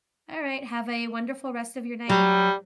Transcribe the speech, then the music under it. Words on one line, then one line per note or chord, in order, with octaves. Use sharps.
All right, have a wonderful rest of your night.
F#3 G3